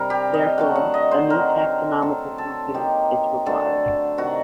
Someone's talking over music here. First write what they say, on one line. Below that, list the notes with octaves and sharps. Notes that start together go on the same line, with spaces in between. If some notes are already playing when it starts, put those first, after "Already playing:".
Therefore, a new taxonomical grouping is required.
Already playing: C3 G3 D4 A#4
G4
D#5
D3 F#3 A3 F#5
F#5
D#5
C5
D3 F#3 C4 D#4 A#4
D3 F#3 A3 A4
A4
F#3 A#3 D#4 G4
D3 A3 D4 A4
C3 D#3 F#3 F#4